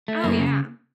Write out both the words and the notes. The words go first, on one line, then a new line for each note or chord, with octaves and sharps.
Oh, yeah.
A3
F#2 A#3
C#3